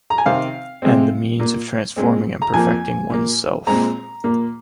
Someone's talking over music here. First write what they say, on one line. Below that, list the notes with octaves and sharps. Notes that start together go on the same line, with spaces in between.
And the means of transforming and perfecting oneself.
A#5
G#5
C3 D#3 C4 F5
C3 G#3 C4
A#2 A#3
A#2 G#3 C4
A#5
F2 F3 A#3 G#5
A#2 A#3
A#2 G#3 C4 A#5
A#2 A#3